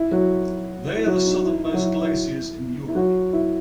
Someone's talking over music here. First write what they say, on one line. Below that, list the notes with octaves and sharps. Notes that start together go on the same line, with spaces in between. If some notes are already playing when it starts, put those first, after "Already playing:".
They are the southernmost glaciers in Europe.
Already playing: E4
F#3 F#4
E4
F#3 F#4
D#4
E4
D#4
E4
F#3 F#4
E4
E4
E4
F#3 F#4
E4